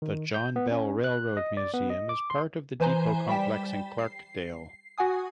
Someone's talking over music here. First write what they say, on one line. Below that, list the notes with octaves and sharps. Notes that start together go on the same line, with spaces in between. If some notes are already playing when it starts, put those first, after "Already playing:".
The John Bell Railroad Museum is part of the depot complex in Clarkdale.
D#3
G6
B3
C#4
F#6
D#5
D5
B3
D#5
D6
C6
E3 B4 C5 G#5 A#5 G7
G3 G4 G5 B6 E7
C7
F#4 F#5 G#5 D#6